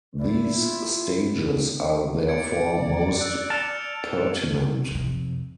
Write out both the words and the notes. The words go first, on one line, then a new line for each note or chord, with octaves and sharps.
These stages are therefore most pertinent.
E4 D5
F4
D5 G#6 C#7 D7
E6 F#6 D7
A5 F6 C#7 F7
F2 C3